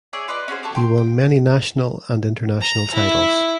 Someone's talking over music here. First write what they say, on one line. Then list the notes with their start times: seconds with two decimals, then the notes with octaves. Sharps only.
He won many national and International titles.
0.13 G#4 C#5 D5 E5
0.28 F4 B4 D5 D#5
0.48 C#4 F#4 G#4 C5
0.63 G4 A4 A5 C#6
0.75 G5 C6
0.98 G5
2.61 A#5
2.94 E4